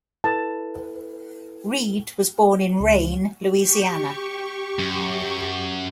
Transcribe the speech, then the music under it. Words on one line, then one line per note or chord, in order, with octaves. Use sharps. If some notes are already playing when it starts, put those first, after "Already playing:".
Reed was born in Rayne, Louisiana.
E4 A4 B4 A5
C#2
G4 C#6
F#2